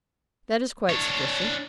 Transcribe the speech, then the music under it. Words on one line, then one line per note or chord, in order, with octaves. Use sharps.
'That is quite sufficient.
D4 C#5